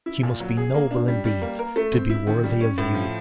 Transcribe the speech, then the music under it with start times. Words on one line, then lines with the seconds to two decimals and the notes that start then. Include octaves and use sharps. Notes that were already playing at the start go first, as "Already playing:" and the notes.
She must be noble, indeed, to be worthy of you.'
0.06 E4
0.23 A#2
0.40 F#3
0.57 G#4
0.74 A#3
0.91 D4
1.08 G3
1.25 G3
1.41 A#3
1.59 A#4
1.76 A3
1.93 C4
2.10 E4
2.27 D#3
2.44 G3
2.61 C#4
2.78 A2
2.94 F3